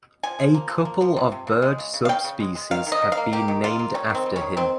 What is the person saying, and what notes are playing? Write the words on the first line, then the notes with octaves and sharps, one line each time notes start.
A couple of bird subspecies have been named after him.
F3 G#5
F3
A#3
F3
A#3
F3
C3
C3
C#3
G#3
C#3
C#3
F5
C#3 G5
C#3
G#3
G#3
D#3 F5
D#3
D#5
D#3
F5
A#3
A#3 G4
D#3
A#3 F4
A#3
G3 C#4
D#3 C4
G3
C#4
D#3
D#3 C4